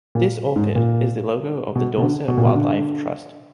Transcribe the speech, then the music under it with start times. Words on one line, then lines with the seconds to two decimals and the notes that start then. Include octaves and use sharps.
This orchid is the logo of the Dorset Wildlife Trust.
0.15 A#2
0.56 G#2
0.76 A#2
1.75 B2
1.98 B2
2.02 D3
2.28 B2
2.38 A#2
2.45 B2
2.55 D3